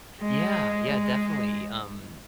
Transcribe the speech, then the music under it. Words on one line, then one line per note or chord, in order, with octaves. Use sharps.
Yeah, yeah, definitely, um
G#3
G#3